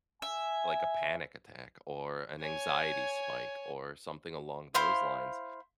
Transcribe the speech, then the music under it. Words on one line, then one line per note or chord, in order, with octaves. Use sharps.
like a panic attack or an anxiety spike or something along those lines,
E5 G#5
C#5 G#5
E4 C5 F5 C6